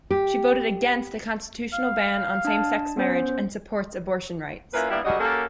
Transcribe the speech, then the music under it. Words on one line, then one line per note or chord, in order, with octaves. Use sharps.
She voted against a constitutional ban on same-sex marriage and supports abortion rights.
G4
F5
D4 A5
B3 C#4 C5
A#3 C#4 E4 F4 A#4 B4
G3 A#3 B3 D4 E4
F#2 C#3 G3 F#4 D#5
A#3 C#4 F#4 G4 A4 A#4